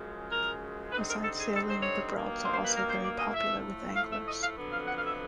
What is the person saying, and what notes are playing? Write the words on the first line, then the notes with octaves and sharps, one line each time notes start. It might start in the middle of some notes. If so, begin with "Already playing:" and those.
Besides sailing, the broads are also very popular with anglers.
Already playing: F#2 C#3 F3 G#3
A#4
D3 G3 C4 D#4 B4
A#4
A4
G#4
A4
C5
C#5
G2 D#3 F#3 A#3
C5
C5
B4
A#4
C5
D5
D#5
A2 F3 A3 E5
F5
E5
D#5
F5
F2 D3 F#3 B3
F5
F#5
F5
E5